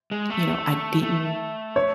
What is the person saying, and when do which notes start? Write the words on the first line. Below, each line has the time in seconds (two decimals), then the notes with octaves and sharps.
you know, I didn't
0.11 G#3
0.30 A3
1.03 A3
1.76 C#5